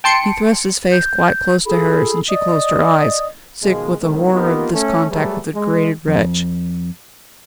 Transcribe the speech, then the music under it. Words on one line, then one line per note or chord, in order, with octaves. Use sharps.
He thrust his face quite close to hers, and she closed her eyes, sick with the horror of this contact with the degraded wretch.
G5 A5 C6 C#7 D7
G6
F4 G#4 A4 B5
D5 D#5 D#6
B2 D#3 F3 G#3
C2 A2 D#3
A#3 B3 D#4 F4 G4 A#4
A3 C#4 A4
F#3 G3 A3 G#4 B4
G#3
F2